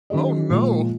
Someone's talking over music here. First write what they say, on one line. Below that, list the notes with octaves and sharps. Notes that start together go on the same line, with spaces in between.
Oh, no!
D#3 F#3 C#4 G#4 D#5
A#2 F3 G#3